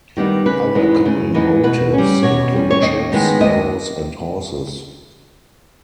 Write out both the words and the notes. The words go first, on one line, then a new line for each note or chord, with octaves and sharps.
Other common motifs include ships, arrows and horses.
D#3 G3 B3 D#4
C#3 B4
E3 G#3 B3 D#4
C#3
E3 G#3 B3 D#4
B2 B4
G3 C#4
B2 C#5
G3 C#4
C#5
D#2 D#5
D#3 G#3 B3 D#4
D#2 D#5